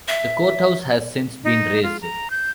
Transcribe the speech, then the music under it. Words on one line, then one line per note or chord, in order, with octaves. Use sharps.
The courthouse has since been razed.
E5
D#4
F4
A#5
G6